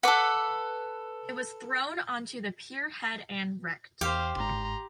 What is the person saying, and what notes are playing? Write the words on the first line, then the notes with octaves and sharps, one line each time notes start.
It was thrown onto the pierhead and wrecked.
A4 B4 F#5 D6
E2 G4 C5 F5
G1 G#2 A#5 C6